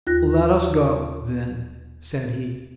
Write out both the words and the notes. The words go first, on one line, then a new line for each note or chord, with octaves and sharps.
"Let us go, then!" said he.
D#2 F4 F#6 A#6